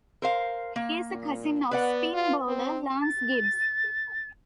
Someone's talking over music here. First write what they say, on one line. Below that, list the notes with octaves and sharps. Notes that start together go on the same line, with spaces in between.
He is a cousin of spin bowler Lance Gibbs.
A#4 C5 F5
A#3
A#2
B3 B4 D5 F#5
F4
C4
A6